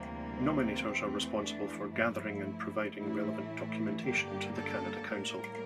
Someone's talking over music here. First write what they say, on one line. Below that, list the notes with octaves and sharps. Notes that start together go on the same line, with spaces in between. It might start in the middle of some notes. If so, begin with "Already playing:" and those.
Nominators are responsible for gathering and providing relevant documentation to the Canada Council.
Already playing: D2 C3 E3 G3 A#3
C4
E2 E3 A3
D4
G2 F3 A3 E4
A2 E3 A3 E4
G2 D3 G3 A#3 G4
A4
A2 G3 A#3 A#4